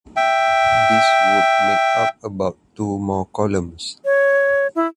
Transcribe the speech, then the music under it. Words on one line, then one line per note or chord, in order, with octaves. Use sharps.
This would make up about two more columns.
E5 G5
C#5
E4